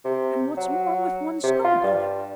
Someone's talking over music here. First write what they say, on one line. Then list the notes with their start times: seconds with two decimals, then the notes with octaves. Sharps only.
And what's more,--with one scull gone.
0.05 C3
0.57 F#3
1.43 C3
1.65 F4
1.83 G2